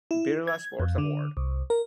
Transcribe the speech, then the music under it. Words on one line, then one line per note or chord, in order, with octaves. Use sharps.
Birla sports award.
E4
G#6
F2
D3
C2
A#4